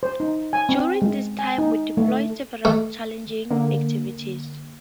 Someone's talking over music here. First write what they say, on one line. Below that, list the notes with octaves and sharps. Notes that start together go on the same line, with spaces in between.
During this time we deployed several challenging activities.
C5
D#4
G#5
C4
G#3
G#5
D#4
A3
A3
D3 A#3